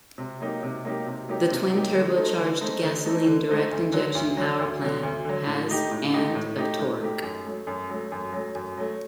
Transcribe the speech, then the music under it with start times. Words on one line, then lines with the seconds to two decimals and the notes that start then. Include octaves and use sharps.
The twin-turbocharged, gasoline direct injection power plant has and of torque.
0.18 C3
0.40 F#3 A#3 D#4 G4
0.63 C3
0.85 F#3 A#3 D#4 G4
1.07 C3
1.29 F#3 A#3 D#4 G4
1.51 C3
1.73 F#3 A#3 D#4 G4
1.94 D3
2.16 A3 D#4 A4 C5
2.39 D3
2.61 A3 D#4 A4 C5
2.83 D3
3.05 A3 D#4 A4 C5
3.26 D3
3.48 A3 D#4 A4 C5
3.71 D2
3.92 D3 F#3
4.15 D2
4.37 D3 F#3
4.59 D2
4.81 D3 F#3
5.03 D2
5.25 D3 F#3
5.46 A2
5.69 A3 D#4 G4
5.91 A2
6.13 A3 D#4 G4
6.35 A2
6.57 A3 D#4 G4
6.79 A2
7.01 A3 D#4 G4
7.23 F#2
7.46 F#3 A3
7.67 F#2
7.89 F#3 A3
8.12 F#2
8.33 F#3 A3
8.55 F#2
8.77 F#3 A3